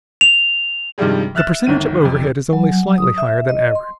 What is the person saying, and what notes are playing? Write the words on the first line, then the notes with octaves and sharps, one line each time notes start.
The percentage of overhead is only slightly higher than average.
F7
G2 C3 D#3 F3 G3 G#3
E5 F6 F#6 A6 E7
G1 D2 D#3 D#7
F2 C3
F#3
D#6
E5
D#5
C6